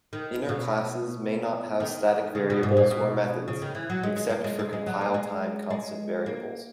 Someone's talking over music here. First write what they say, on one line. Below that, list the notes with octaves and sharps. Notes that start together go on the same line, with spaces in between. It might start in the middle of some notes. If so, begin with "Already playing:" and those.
Inner classes may not have static variables or methods, except for compile-time constant variables.
D#3
B2
D#3
C#3
B2
G#2
A#2
B2
C#3
D#3
E3
F#3
G#3
G#3
A#3
G#3
G#3
G#3
F#3
A#3
G#3
G#3
A#3